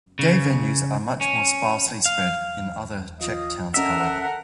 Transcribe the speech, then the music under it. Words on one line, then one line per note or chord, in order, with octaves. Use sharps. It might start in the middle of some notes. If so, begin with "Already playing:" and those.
Gay venues are much more sparsely spread in other Czech towns however.
C#3
C#4
F5
F3 D#5 F5 D#6
C#4 A4 A#4 D#5 E5 F#5